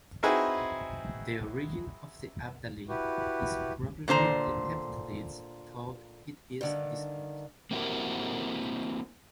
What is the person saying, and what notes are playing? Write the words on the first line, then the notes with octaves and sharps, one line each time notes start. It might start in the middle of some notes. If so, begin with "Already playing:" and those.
The origin of the Abdali is probably the Hephthalites though it is disputed.
C4 D#4 E4 F#4 G#4 B4
E4 F#4 G4 B4
A#2 D3 C5 A#5
G2 D3 D#3
A#3 C4 E4 F#4 G4 A#4